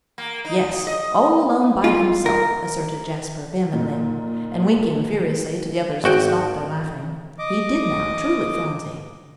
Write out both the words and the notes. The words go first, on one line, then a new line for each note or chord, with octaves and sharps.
"Yes, all alone by himself," asserted Jasper, vehemently, and winking furiously to the others to stop their laughing; "he did now, truly, Phronsie."
A#3
D#4
D#5
F4
A#4
A#2 D#4
G#1 F#4 G5
D#5 D6